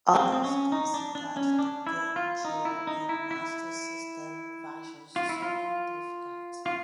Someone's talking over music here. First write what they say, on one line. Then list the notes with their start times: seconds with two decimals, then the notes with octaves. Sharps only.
Others considered the Game Gear and Master System versions too difficult.
0.15 C4
0.32 C4
0.44 C#4
0.72 D#4
0.94 D4
1.15 D4
1.37 C#4
1.59 D4
1.87 E4
2.16 F4
2.45 D#4
2.65 E4
2.87 D#4
3.09 E4
3.31 E4
5.16 F4
5.29 E4
5.42 F4
6.66 F4